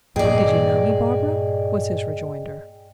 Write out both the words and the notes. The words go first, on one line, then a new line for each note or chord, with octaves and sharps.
"Did you know me, Barbara?" was his rejoinder.
G2 A#2 G#4 D5 D#5 G5